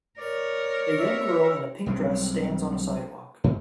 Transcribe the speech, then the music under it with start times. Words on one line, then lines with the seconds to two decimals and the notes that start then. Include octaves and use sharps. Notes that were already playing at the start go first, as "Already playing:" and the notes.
A young girl in a pink dress stands on a sidewalk.
0.18 A#4 C#5 D5
1.00 E5
1.86 B1 G3 G#3 C4
3.44 G#2